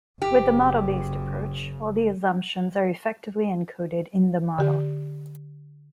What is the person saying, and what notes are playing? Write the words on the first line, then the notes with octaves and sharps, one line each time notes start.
With the model-based approach, all the assumptions are effectively encoded in the model.
F#1 C#3 G4
D3 G4